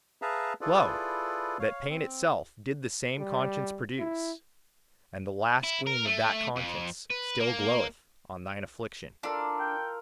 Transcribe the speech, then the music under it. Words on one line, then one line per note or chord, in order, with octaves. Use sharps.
Lo, that pain itself did the same conscience produce; and the last gleam of that conscience still gloweth on thine affliction.
G#4 B4 E5 F5 A5 A#5
E4 F4 G#4 A4 B4 D5
C#5 F5
C4
G3
E4
E4
A#4
A3
F2
B4
A#3
D4 F4 A4 A#4
G5